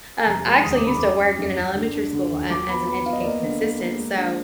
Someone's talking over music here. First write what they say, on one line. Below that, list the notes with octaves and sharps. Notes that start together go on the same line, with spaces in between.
Um, I actually used to work in an elementary school, um, as an education assistant, so,
G#5
F1 A#5
G#3
D#2 D#6
D6
D3 B5
F#2 D6
F#2
F#2
F#2
D3
D4
D3
D#2
F#3 D6
B3 B5
B3 B5
B3 F5
D#5
D5
A#3 D#5
D3
A#3
A#3
G#3
D4